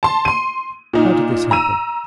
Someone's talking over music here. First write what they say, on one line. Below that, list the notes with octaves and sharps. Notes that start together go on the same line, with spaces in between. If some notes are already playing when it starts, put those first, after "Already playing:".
How did this happen?
A5 C6
C6 D#7
A#2 D#4
A#5 E6 D#7